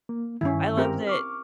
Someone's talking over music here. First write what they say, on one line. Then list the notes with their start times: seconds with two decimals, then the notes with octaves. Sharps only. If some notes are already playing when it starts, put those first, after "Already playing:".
I love that e
0.09 A#3
0.41 G2 D#3 C#4 E4
0.77 C4 G4 A#4
1.07 C#6 D6 F6